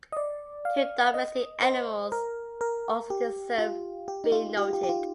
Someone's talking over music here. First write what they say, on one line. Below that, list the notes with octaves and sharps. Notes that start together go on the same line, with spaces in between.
Two domestic animals also deserve being noted.
D#5
D5
F5
D#5
C5
A#4
A#4
G4
F4
G4
D#4
F4
G4
G4
G4
F4